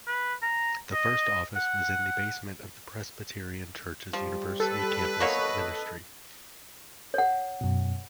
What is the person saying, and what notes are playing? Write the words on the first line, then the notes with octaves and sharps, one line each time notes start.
The first office was in the basement of the Presbyterian Church’s university campus ministry.
B4
A#5
D#5
F#5
F3 G3
A4 B4
F#3 A#3 C#5 D#5
C#5 F#5
F#2 B2